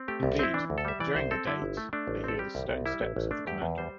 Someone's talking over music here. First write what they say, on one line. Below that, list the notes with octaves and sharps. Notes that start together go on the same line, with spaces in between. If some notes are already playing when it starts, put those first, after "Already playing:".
Indeed, during the date, they hear the stone steps of the Commander.
Already playing: C4
A3 G4
C2
C4 E4
E3 D4
D2
A4
G3 E5
E3 D5
C2 C5
C4 A4
D3 E4
G1
A3
A3 D4
A1
C4 A4
G3 G4
C2
C2
G3 E4
A1
A1
A3 D4
E2 G4
E2
G3 C5